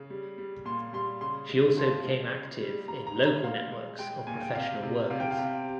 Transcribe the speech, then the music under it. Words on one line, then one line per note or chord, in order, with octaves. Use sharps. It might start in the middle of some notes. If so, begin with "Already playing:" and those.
She also became active in local networks of professional workers.
Already playing: C#3
G3
G3
A#2 C6
G3 C6
C#3 C6
G#3
F3 C6
G#3
C#3
G3
G3 A#5
A#5
G3
A#5
A#2 F5
G#3
G#3 G5
A#2 G#5
G5
C3 F5
C3
C3 F5
G5
F5
C3